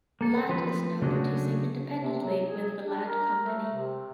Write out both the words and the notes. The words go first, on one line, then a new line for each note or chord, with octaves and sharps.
Ladd is now producing independently with The Ladd Company.
A#3 A4
F3 C4 B4
C#3 F#3 A3 D4 F#4 G#4
C3
F#3
G#4
D4
A#4
A3
C3